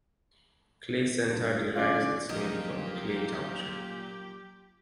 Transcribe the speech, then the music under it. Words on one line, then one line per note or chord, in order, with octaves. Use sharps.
Clay Center derives its name from Clay Township.
F#1 G2 F4
A#2 D3 F#3 C#4 F4 D5
A#2 F3 F#3 A#3 C#4 G4 A#4 D#5